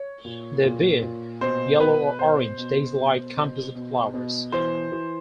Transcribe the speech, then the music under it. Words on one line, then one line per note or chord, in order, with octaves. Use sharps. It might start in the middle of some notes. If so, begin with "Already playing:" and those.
They bear yellow or orange daisy-like composite flowers.
Already playing: C#5
A#2
A#2
A#2
B2 C5
B2 B4
B2 C5
B2
B2
B2
B2
B2
E3 C5
E3